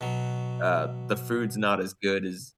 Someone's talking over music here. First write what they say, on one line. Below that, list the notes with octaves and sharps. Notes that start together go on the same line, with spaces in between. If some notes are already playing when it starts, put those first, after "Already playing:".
uh, the food's not as good as"
B2 F#3